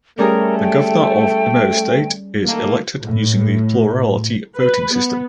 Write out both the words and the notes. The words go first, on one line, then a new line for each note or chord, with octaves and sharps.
The Governor of Imo State is elected using the plurality voting system.
G3 A3 C#4 G#4 A#4
G5
D#3 A3 A#3
A2
B4
B3